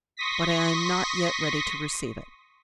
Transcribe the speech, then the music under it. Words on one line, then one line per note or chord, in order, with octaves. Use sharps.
"But I am not yet ready to receive it."
C6 C#6 D#6 A#6 B6